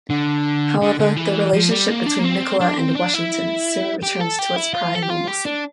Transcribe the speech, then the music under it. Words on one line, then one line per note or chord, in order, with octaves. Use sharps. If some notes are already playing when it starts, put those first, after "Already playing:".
However, the relationship between Nicola and Washington soon returned to its prior normalcy.
D3
D3
D3
E3
F3
G3
A#3
D4
A#3
C4
D4
C4
D4
E4
G4
A4
G4
E4
F4
A4
G4
F4
G4
D4